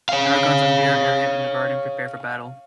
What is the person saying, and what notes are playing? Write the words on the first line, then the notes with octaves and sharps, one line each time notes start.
Eragon, Saphira, Arya, and the Varden prepare for battle.
C#5 F5